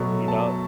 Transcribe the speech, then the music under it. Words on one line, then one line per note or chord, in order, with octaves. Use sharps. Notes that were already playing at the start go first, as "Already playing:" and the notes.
you know?
Already playing: B2 F#3 A3 C#6
A5